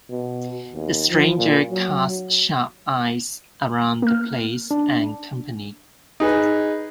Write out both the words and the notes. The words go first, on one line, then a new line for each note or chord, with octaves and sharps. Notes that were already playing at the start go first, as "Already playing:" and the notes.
The stranger cast sharp eyes around the place and company.
B2
D#2
F3
A#2
F#3
A#3 F6
D4
D#4 G#4 B4